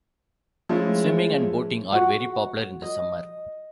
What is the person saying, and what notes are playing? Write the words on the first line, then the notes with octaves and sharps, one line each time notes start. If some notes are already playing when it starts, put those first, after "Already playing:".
Swimming and boating are very popular in the summer.
F3 G#3 A3 C#4 E4
F#4 F#5
D#5